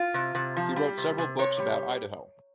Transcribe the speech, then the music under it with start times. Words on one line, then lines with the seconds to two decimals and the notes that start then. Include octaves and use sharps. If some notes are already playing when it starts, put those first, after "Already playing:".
He wrote several books about Idaho.
Already playing: F4
0.14 C3
0.35 C3
0.56 F3
0.76 G3
0.98 C3
1.18 C3
1.39 C3 C#5
1.59 G3